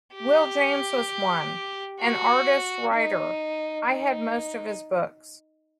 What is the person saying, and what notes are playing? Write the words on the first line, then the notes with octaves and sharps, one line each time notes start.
Will James was one, an artist-writer-I had most of his books.
G4
F#4
D#4
D#4